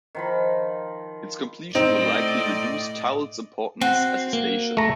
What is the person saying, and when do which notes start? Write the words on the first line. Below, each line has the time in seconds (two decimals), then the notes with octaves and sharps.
Its completion will likely reduce Toul's importance as a station.
0.15 D#3 F3 B5
1.75 A2 C4 D#4 C5 D5 D#5
3.82 C4 F#4
4.33 A#3
4.77 A3 A#5